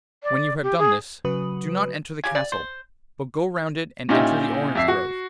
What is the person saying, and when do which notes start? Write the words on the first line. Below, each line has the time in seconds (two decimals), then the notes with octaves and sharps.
When you have done this, do not enter the castle, but go round it and enter the orange grove.
0.23 D5
0.63 G4
0.78 G#4
1.25 C#3 F#3 F#4 B4 D#6
2.24 C#3 G4 G#5
2.35 D5
2.52 C5
4.09 A#2 C#4 D#4 E4 G4
4.75 F2 E5 C7
4.88 F#4